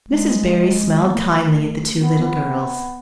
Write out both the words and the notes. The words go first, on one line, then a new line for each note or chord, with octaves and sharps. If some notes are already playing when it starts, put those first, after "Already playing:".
Mrs. Barry smiled kindly at the two little girls.
G#3
B3
A3
B3
B3